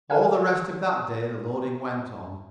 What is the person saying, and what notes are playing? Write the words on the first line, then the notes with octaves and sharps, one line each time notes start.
All the rest of that day the loading went on.
A4 A#4 F5 F#5 G#5